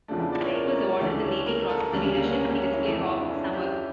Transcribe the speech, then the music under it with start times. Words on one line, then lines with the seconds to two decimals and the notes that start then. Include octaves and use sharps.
Sprague was awarded the Navy Cross for the leadership he displayed off Samar.
0.08 E2 C#3 F3 A3 D4
0.20 E4
0.32 D5
0.44 C#5
0.55 A#4
0.67 C#5
0.78 D5
0.89 C#5
1.00 D2 C#3 E3 A3 D5
1.24 C#5
1.46 A#4
1.69 A4
1.93 D2 C#3 G3
2.04 C#4
2.16 A#3
2.27 C#4
2.39 A#3
2.51 C#4
2.62 C#4
2.74 E4
2.84 F2 C#3 E3 A3 E4
3.07 E4
3.19 D4
3.30 C#4
3.53 G4